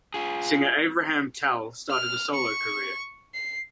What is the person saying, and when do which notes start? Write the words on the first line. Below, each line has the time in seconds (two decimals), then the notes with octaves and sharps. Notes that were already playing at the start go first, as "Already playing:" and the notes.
Singer Avraham Tal started a solo career.
0.14 F4 G#4
1.91 F6
2.34 C#6
3.35 C7